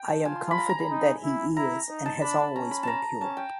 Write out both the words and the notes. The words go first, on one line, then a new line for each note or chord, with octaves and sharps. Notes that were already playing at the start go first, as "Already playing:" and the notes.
I am confident that he is and has always been pure.
Already playing: G5
A5
F4 G#5
B5
A#5
A#5
B5
D#4
E4
E4 A#5
D#4
A5
D4 B5
C#4 A#5
B5
A5 A#5
C#4 A5
G5